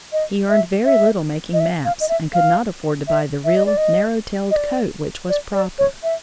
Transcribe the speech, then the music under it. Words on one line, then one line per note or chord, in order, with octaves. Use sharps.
He earned very little making maps and could not afford to buy the real, narrow-tailed coat which was proper.
D#5
E5
E5
D#5
E5
F5
D#5
E5
F5
E5
E5
D#5
D5
D#5
D#5
D5
D5
D5
C#5
E5